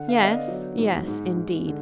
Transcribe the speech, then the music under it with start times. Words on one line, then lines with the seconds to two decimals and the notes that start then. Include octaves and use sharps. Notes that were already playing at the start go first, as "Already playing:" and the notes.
'Yes, yes, indeed.
Already playing: D3 F#5
0.09 F5
0.19 B3
0.25 D#5
0.29 D5
0.48 F#3
0.78 G#2
1.08 G#2
1.37 G#2
1.67 D3